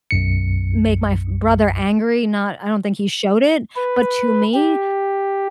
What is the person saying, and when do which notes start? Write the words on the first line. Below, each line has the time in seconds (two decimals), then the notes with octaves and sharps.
make my f brother angry, not I don't think he showed it, but to me,
0.11 B1 F#2 C#7
3.76 B4
4.54 G4